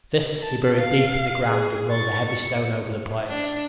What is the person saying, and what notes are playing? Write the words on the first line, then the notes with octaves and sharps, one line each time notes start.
This he buried deep in the ground and rolled a heavy stone over the place.
A5
F5
G#4
C#6 A6
C#7
D4